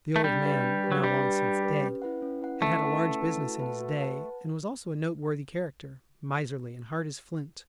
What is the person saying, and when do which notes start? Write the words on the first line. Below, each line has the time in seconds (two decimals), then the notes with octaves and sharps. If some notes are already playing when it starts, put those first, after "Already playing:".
The old man, now long since dead, had had a large business in his day and was also a noteworthy character, miserly and hard as flint.
0.16 A3
0.24 G3 D4
0.44 G4 B4
0.63 D4
0.84 G4 B4
0.92 F#3
1.03 G3 D4
1.23 G4 B4
1.43 D4
1.63 G4 B4
1.83 C#4
2.02 E4 B4 F#5
2.22 C#4
2.41 E4 B4 F#5
2.61 A3 C#4
2.81 E4 B4 F#5
3.01 C#4
3.21 E4 B4 F#5
3.41 F#4
3.60 B4 F#5 A5
3.80 F#4
4.00 B4 F#5 A5